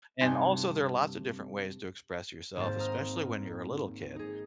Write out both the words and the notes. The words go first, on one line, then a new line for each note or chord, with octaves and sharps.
and also there are lots of different ways to express yourself, especially when you're a little kid.
G2 C3 D#4 G#5 C6
G#1 G#2 A#3 C4 A5 A6
A#5 D#6 F6
D#4 G#4